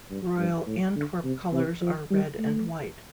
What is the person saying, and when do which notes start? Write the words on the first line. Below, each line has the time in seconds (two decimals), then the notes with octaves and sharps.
Royal Antwerp colours are red and white.
0.10 G2
0.38 G2
0.67 A2
0.96 D3
1.24 C3
1.53 C3
1.82 F3
2.11 G3
2.39 A3